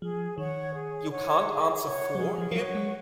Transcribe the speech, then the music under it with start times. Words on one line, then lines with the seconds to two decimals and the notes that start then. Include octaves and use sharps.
You can't answer for him?
0.02 F3 G#4
0.38 D#3 C#5 F#5 C#6
0.74 G#4
1.11 C#5 F#5 C#6
1.47 G#4
1.84 C#5 F#5 C#6
2.15 F#3
2.20 F3 G#4
2.38 F3
2.51 F3
2.56 F#3 C#5 F#5 C#6
2.75 G#3